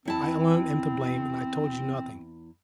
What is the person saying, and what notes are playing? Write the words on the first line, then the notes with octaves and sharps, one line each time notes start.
I alone am to blame, and I told you nothing.
E2 C4 E4 A5